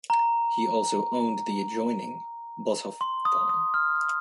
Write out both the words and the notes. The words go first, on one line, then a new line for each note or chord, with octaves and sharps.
He also owned the adjoining "Boshof" farm.
A#5
C6
D#6
D#6
F6